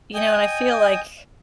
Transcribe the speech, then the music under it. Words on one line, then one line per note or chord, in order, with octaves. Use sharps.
You know, and I feel like
D#5 G5 G#5 D#6